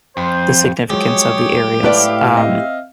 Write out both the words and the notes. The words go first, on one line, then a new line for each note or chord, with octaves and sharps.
the significance of the areas. Um,
F2 C5
F3 F#3 G#3 G4 G#4 C#5
A2 B4 D5 E5 F5
C4 D#5